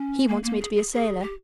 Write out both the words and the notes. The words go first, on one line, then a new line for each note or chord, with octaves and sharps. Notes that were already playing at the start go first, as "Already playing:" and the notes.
"He wants me to be a sailor."
Already playing: C#4
A#3
A#3
G#4
G#4
G#4
G4